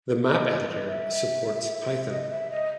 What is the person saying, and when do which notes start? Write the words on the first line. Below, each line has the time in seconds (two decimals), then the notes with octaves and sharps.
The map editor supports Python.
0.23 E5
0.28 D#5
0.85 E5
2.09 D#5
2.22 D#5
2.30 E5
2.51 D#5